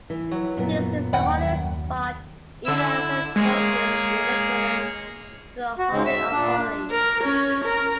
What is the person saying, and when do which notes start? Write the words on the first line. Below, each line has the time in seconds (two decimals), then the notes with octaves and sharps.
This is the holiest spot in a synagogue, equivalent to the Holy of Holies.
0.10 E3
0.32 F#3
0.57 F#2 A#2 B3
1.13 D#2 F#5 G5 B5
1.40 F#2
2.65 D3 E4 E6
3.36 G#3 A#3 G#4 C#5
5.79 F#4
5.92 G#2 C#3 G#3
6.06 E5 E6
6.32 A#2 D4
6.91 A#4
7.24 C#4
7.64 A#4